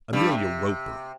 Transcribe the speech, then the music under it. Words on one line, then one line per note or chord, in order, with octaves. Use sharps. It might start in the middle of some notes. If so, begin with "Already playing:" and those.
Amelia Roper!
G2 G3
C3